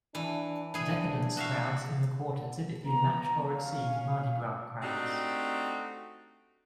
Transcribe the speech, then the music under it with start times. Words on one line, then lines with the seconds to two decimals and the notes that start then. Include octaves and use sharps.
Decadence crowds in the Quarter typically match or exceed Mardi Gras crowds.
0.15 E3 D4
0.74 E3 D4 G#4
1.37 F#4 E5 F5
2.84 B3 A#5
3.52 C#4 F5
4.82 A3 C4 D4 D#4 F#4 G4